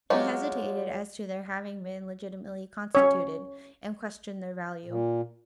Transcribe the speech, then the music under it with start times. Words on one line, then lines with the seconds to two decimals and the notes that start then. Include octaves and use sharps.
He hesitated as to their having been legitimately constituted, and questioned their value.
0.10 F#3 G#3 F4 G4
2.95 C#4 C#5
4.85 A#2